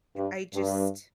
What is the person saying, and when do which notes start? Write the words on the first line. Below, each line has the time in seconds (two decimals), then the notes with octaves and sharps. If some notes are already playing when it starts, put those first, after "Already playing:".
I just
0.16 G2
0.54 G2